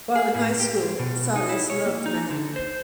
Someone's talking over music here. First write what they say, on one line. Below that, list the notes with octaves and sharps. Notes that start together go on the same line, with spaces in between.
While in high school Salles loved math.
G#4
A2
G4
G#3
B2
D#4
E4
C#5
A#3
D#4
D3
C5